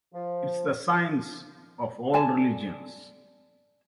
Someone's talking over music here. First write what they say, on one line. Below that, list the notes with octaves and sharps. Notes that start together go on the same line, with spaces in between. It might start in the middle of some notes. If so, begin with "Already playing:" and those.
It's the science of all religions.
F3
D5 G#5 A5